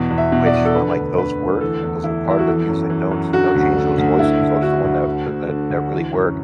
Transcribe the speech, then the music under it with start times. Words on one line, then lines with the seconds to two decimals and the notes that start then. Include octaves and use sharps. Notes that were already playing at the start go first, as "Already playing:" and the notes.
which I'm like, "Those work, those are part of the music, don't don't change those voicings, those are the one that that that that really work."
Already playing: E2 B2 E3
0.10 E2
0.18 E5
0.32 B2
0.46 D5
0.54 E2
0.65 A4
0.75 D3 B4
0.97 D2
1.18 D3 B4
1.39 D2
1.61 E3 A4
1.82 E2
2.04 E3 E4
2.26 E2 E4
2.39 F#4
2.47 E3 A4
2.68 F#2
2.90 E3
3.11 F#2
3.33 D3 F#4
3.55 D2
3.76 D3
3.98 D2
4.19 D3 E4
4.41 D2
4.62 D3 F#4
4.84 D2
5.05 D3
5.27 D2
5.48 D3
5.70 D2
5.92 E3
6.13 F#2